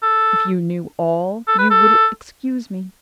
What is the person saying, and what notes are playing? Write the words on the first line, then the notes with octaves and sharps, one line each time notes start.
If you knew all, you would excuse me.
A4
A4
B4
A4